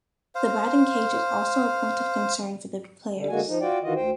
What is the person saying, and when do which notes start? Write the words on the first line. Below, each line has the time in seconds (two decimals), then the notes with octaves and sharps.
The batting cage is also a point of concern for the players.
0.35 C5 F5
3.15 D3 G3
3.29 D3 G#3 A#3 F#4 G#5
3.48 F3 D#4
3.61 F4 F#4 D5 G5
3.83 D#3 E3 F4 F#4 D#5
3.96 D2 C5 G5